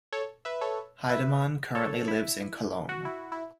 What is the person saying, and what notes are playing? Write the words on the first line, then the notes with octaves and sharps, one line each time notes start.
Heidemann currently lives in Cologne.
A4 C#5
B4 E5
A4 C#5
B4 E5
A4 C#5
E4
F#4
E4
E4